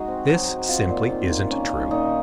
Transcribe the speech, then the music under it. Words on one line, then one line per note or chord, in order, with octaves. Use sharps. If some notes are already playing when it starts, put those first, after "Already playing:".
This simply isn't true.
Already playing: G#3 D#4 F#4 G#4
C4
F#3
F#3
C4 F4
A#2
D#3 D#4
D#3
A#3 C#4
D#3
A#2 D#4